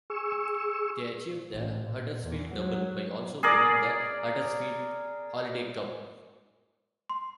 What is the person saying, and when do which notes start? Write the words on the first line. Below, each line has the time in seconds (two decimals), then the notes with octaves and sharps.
They achieved the Huddersfield double by also winning the Huddersfield Holliday cup.
0.10 G#4 C#6 E6
1.53 A1
1.83 A#2
2.24 E2
2.54 F#3
3.43 G#4 A#4 D5
7.10 C6